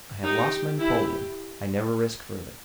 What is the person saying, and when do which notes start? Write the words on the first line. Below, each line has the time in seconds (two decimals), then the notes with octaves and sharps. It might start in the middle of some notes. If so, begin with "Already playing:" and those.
I have lost my napoleon: I never risk further.
0.24 D#4 G4
0.79 E4 G4